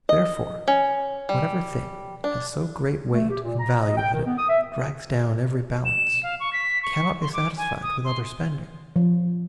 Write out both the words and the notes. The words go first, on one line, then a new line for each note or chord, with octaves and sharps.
Therefore whatever thing has so great weight In value that it drags down every balance, Cannot be satisfied with other spending.
D#5
C#4
G3
D4
A3
G4
A#2
A#5
D#5
G5
D#3
B3
D#6
E5
E7
F5
C#6
B6
C#6
C6
D6
G#5
D#6
C6
F3